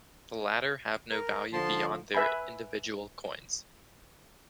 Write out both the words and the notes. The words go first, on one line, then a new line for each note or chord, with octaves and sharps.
The latter have no value beyond their individual coins.
A#4
D3 F3 A5 C6
B4 E5 G#5 B5